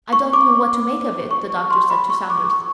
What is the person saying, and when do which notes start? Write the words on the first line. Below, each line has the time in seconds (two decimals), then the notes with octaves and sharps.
"I don't know what to make of it," the doctor said to Saunders.
0.13 C#6
0.33 D6
1.31 C#6
1.71 C6
1.90 B5
2.10 C#6
2.30 D6
2.50 C#6